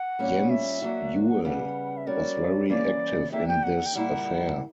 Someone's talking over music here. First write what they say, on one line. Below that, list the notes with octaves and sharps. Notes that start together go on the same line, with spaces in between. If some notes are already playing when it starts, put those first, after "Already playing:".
Jens Juel was very active in this affair.
Already playing: F#5
A#2 G3 C#4
E5
F#3 A#3 D4 F#4
F#5
C#3 G3 B3 F#5
E5
G3 C#4 F#4 A#4 D5
E3 G3 A#3 C#4 D5
E3 A#3 D4 G4 E5
G5
F#5
G5
A#2 G3 A#3 E4 F#5